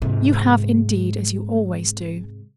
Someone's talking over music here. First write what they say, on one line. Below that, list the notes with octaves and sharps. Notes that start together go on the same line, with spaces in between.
"You have, indeed, as you always do."
G#2 C3